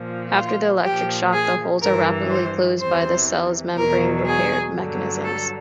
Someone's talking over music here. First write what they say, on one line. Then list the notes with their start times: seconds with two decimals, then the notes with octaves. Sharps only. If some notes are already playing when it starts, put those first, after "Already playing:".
After the electric shock, the holes are rapidly closed by the cell's membrane-repair mechanisms.
Already playing: A#2 F3
0.34 F4
0.83 A#2 F3 G4
1.32 G#4
1.81 G2 E3 A#4
2.30 C5
2.79 E2 C3 E3 C5
3.77 E2 B2 F#3 A#4
4.26 G#4
4.75 G2 D3 F#3
5.24 A4